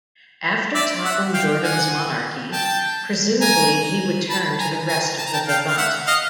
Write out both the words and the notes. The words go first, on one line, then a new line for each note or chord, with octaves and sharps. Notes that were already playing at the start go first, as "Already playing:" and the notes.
After toppling Jordan's monarchy, presumably he would turn to the rest of the Levant.
D5 E5
E5 F#5
F5 G5
F#5 G#5
G5 A5
G#5 A#5
A5 B5
G#5 A#5
G#5 A#5
A5
A#5
G5 A5
F5 G5
F5
E5 F#5
D#5 F5